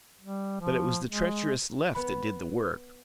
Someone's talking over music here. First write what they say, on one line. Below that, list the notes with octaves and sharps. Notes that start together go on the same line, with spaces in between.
But it was the treacherous left that did the work.
G3
F3
G#3
B3 B5